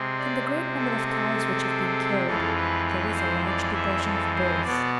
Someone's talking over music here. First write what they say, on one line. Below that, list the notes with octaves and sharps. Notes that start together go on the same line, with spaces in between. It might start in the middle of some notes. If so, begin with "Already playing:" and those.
From the great number of cows which have been killed, there is a large proportion of bulls.
Already playing: C3 G#3 C4
D5
A4
A4
F2 E3 G#3 A4
B4
B4
C5
D5
E5
A4
C5
B2 B3 D5